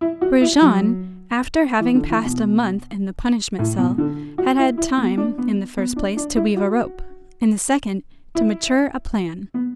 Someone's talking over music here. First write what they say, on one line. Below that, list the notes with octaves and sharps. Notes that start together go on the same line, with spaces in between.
Brujon, after having passed a month in the punishment cell, had had time, in the first place, to weave a rope, in the second, to mature a plan.
E4
F#4
E4
F#3
E3
D3
E3
B2
A2
B2
D3
F#4
E4
E4
B3
D4
B3
B3
D4
D4
E4
F#4
E4
B3